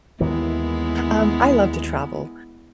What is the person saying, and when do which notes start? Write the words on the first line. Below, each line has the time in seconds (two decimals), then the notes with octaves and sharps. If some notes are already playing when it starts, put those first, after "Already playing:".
Um, I love to travel.
0.20 D#2 D#3 E3 G#3 B3 E4